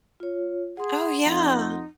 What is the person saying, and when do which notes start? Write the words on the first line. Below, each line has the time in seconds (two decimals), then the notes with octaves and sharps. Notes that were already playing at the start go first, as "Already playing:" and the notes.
Oh, yeah.
0.20 F4 C#5
0.77 G#4 F#5 C6
1.26 F2 D#4